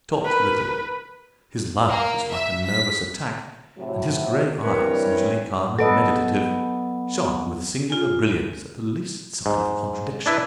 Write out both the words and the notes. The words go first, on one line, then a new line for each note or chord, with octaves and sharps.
He talked little; his laugh was like a nervous attack, and his gray eyes, usually calm and meditative, shone with singular brilliance at the least sign of contradiction.
A#4 B4
A#3
E5
B6
A2 C3 F#3
G2 E3 C4 A#4 B4 C#5
F#3 B3 A4 B4 D#5
F4 G#5
G#2
D4 E4 B4